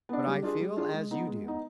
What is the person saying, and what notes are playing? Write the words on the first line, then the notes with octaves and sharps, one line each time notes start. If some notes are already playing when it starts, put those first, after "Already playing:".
But I feel as you do.
B3 D4
G3
D4 F4 G#4
G3
D4 F4 G#4
G#3
B3 D#4
G#3
B3 D#4